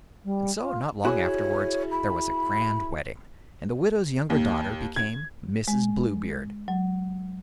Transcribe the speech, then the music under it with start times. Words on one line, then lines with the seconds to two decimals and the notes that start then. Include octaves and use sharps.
And so, not long afterwards, there was a grand wedding, and the widow's younger daughter became Mrs. Bluebeard.
0.24 G3
0.61 F4
1.05 E4 F#4 G#4 C#5
1.91 B5
4.30 D#2
4.96 G#6
5.68 G#3
6.68 F#3